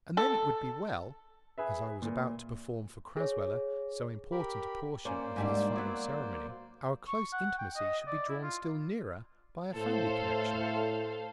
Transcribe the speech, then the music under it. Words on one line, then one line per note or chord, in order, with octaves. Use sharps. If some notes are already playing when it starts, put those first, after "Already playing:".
And then it would be well, as I was about to perform for Crasweller so important a portion of his final ceremony, our close intimacy should be drawn still nearer by a family connection.
A4
G#4 B4 E5
A#2
G#4 C#5
G4 A#4 B5
A#3 C#4 C5 D5
G#2 G3 D4
F#3 B3
C#6
F#5
G5
D#5
D5
E4
F4
A2 A4 C5 F5